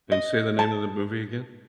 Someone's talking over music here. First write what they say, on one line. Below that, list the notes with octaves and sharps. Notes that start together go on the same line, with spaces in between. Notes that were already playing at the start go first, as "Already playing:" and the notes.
And say the name of the movie again.
D#5
A5